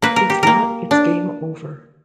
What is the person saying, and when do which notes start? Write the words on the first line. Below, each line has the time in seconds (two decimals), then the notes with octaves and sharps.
If not, it's game over.
0.02 A#3 B4
0.16 A#4
0.30 G4
0.43 A#3 A#4
0.91 D4